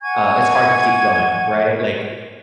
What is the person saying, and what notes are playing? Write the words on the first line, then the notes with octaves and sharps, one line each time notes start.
uh, it's hard to keep going, right? Like,
F#5 G#5 C#6 G#6